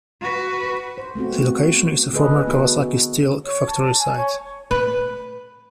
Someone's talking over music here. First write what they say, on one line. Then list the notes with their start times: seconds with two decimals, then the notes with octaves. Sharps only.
The location is a former Kawasaki Steel factory site.
0.21 F#4 B4
0.98 C5
1.15 A3 B3 C4 F#4
2.13 D3 G#4 A4 B4 D#5
2.47 B3 E4 F#4 A4
3.45 C#5
3.67 A5
3.82 A5
3.99 G#5
4.17 C#5
4.71 B4